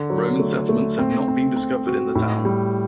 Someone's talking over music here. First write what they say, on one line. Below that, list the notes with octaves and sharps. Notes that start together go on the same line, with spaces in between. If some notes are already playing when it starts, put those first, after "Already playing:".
Roman settlements have not been discovered in the town.
Already playing: D3
F#3
A3
A3
C4
C4
C4
F#4
A2
G3